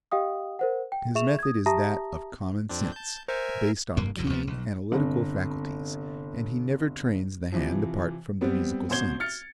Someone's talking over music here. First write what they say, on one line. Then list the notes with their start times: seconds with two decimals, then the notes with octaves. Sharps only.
His method is that of common sense, based on keen analytical faculties, and he never trains the hand apart from the musical sense.
0.12 G4 D#5 F5 G5 D#6
0.59 A#4 C5 F#5
0.92 G5
1.15 G#4 E5 C#6 E7 F7
1.39 D#6 G#6
1.66 G4 E5 A5 A#5 D#6 A#6
2.69 F2 C4 D4
2.92 A5 G6
3.28 A#4 C5 E5 G#5
3.97 F1 G2 A#3
4.17 G1 E2 B2 F#3
4.30 D2 F3 F#3 B3
4.47 B1
4.92 G1 C3
7.52 C3 E3 F3
8.41 G3 B3 C4
8.89 A1 B2 C5 G#6 G7
9.20 F6 A6 C#7